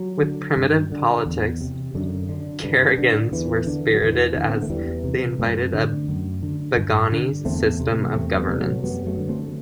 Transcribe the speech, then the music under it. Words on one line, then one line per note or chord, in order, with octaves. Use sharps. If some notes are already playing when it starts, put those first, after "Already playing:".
With primitive politics, Caragans were spirited as they invited a "bagani system" of governance.
Already playing: F#3
D3
G2
D3
E2
C3
F#2 D3
D3
G2
D3
E2 E3
D3
F#3
E2 E3
D3
C4
B3
A3
E2 E3 G3
C3
F#2 A3 C4
D3
F#2
D3
G2
D3
E2 A3 C4
C3
A3 C4
E2 A3 C4
G3 B3
C3
F#3 A3
F#2 G3 B3
F#3 A3
D3
A3 C4